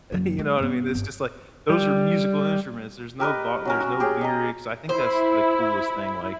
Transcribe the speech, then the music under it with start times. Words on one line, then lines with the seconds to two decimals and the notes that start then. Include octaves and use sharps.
you know what I mean? It's just like those are musical instruments. There's no vo there's no lyrics. I think that's the coolest thing like,
0.12 F#1 F#3
0.39 G#3
0.58 G2 B3
0.95 G1
1.70 G3
3.20 G4 A#4 B4 D#5
3.65 F#3 C#4 A#4
3.80 F#4
4.00 G4 G#4 C#5
4.21 D#5 A#5
4.89 E4 C5